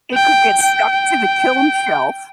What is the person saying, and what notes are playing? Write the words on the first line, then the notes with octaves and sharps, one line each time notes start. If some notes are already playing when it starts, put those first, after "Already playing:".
it could get stuck to the kiln shelf.
G5
G5